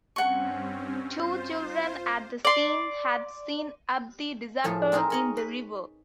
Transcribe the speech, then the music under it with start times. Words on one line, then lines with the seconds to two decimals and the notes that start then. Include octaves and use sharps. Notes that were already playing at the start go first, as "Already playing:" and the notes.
Two children at the scene had seen Abdi disappear in the river.
0.16 G2 C4 C#4 F#5 C#6
1.02 F4 C5
2.45 D5 C6
4.64 A2 F3 A3 G#4
4.92 C4 D#4 G#4 A#4 C5
5.10 A#4 C#5 D#5
5.37 B4